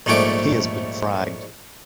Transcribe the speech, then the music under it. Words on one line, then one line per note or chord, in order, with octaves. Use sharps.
He has been "fragged".
A#1 G#2 G3 A3 C#4 D6